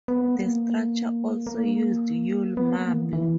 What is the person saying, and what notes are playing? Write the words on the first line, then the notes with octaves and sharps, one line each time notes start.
The structure also used Yule marble.
B3
A#3
A#3
B3
A#3
E3
E3